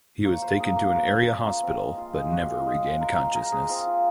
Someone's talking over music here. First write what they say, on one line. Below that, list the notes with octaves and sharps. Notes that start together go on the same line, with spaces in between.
He was taken to an area hospital but never regained consciousness.
A#3 C#5
F4 C5
A#3 G#4
A#3 F#4
A#3 F#4
C#4
A#3
F4
C4
G#3
F4
G#3
F4 F#4
G#3
G#3 G#4
G#3
G#3 A#4
G#3 C5
G#3 A#4
G#3 G#4
C4 F4
F4